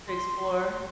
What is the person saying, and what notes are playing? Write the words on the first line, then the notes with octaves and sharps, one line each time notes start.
To explore?
C6